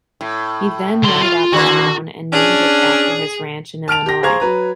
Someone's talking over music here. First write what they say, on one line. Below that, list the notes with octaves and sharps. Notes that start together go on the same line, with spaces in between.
He then laid out the town and named it after his ranch in Illinois.
A2
D3 C6
F4
D#2 D3 A#3 F#4
C#4 D4 G#4
A5 F6 D7 F7
G4 A#6
G#4 C5 F5 A#5 C#6 G#6
F#3 B4 A#5